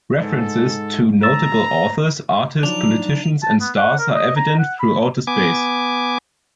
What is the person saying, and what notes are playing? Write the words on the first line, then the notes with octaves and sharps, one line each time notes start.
References to notable authors, artists, politicians and stars are evident throughout the space.
G#2 A4
A#5 E6 A6 E7
F3 F#3 D4 D#4 F7
A5
B3
F#5
A#4
D#5
A#5
F#5
B5
B3 G#5 D6